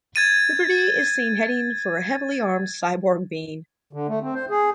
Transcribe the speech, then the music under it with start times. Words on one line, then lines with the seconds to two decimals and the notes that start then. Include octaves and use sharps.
Liberty is seen heading for a heavily armed cyborg being.
0.16 G#6 A6 D#7
3.93 D3
4.08 A3
4.22 C4
4.34 C5
4.50 G#4